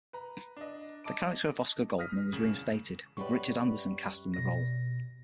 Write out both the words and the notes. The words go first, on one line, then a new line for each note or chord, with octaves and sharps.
The character of Oscar Goldman was reinstated, with Richard Anderson cast in the role.
B4 A#5
D4 D#5
D#5 A5 D6 D7
D#6 F6 A#6 B6
E1 C#3 G#4 F#7
F#2 G3 B4 C#6
B2 A#6